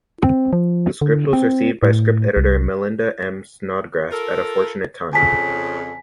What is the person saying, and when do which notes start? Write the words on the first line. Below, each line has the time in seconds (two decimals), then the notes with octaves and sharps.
The script was received by script editor Melinda M. Snodgrass at a fortunate time.
0.24 C4
0.53 F3
1.01 D3
1.33 C4
1.83 A2
2.37 C2
4.11 F4 A4 A#4
5.13 F2 C#3 G#5 A5 B6